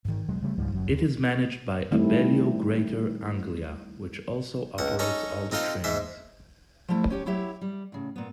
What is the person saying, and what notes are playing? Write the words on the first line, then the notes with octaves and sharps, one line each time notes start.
It is managed by Abellio Greater Anglia, which also operates all the trains.
G#2 D#3
E1 B2 F#3 G#3
C#3 G3 A3
C#2 G#2 F3 G3
F#1 F#2 F#3
D#2
D#3 G3 A3 C4 E4
C#2 F#5
C#4 D#4 A4 C#6
C4 D#4 F4 A4 C5
G#2 C5 E5
F3 G3 A3 E4
C#4 G4 C#5
F#3 E4 G4 C#5 E5
G3
A2 C#3
A#2 B3